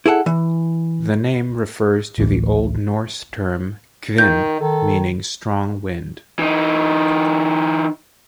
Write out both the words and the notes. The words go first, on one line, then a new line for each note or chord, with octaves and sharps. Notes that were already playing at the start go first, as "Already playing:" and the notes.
The name refers to the old Norse term "kvin", meaning strong wind.
E4 G#4 A4 F#5
E3
A1 D2 A2 E3
D#3 G6
D#3 A4
E3 D#4